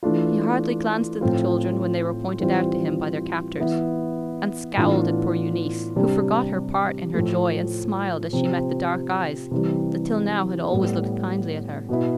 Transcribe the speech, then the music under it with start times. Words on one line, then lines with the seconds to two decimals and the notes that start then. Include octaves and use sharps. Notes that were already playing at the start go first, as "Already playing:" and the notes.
He hardly glanced at the children when they were pointed out to him by their captors, and scowled at poor Eunice, who forgot her part in her joy, and smiled as she met the dark eyes that till now had always looked kindly at her.
0.03 E3 A3 D4 F4
1.21 A2 F3 C4 F4
2.40 E3 G3 C4 F4
3.58 E3 B3 E4
4.77 A2 E3 B3 D4 F4
5.96 C3 G3 D4
7.14 A2 F3 A3
8.33 C3 F3 C4
9.51 C3 E3 G3
10.71 A2 G3 B3
11.89 B2 B3 E4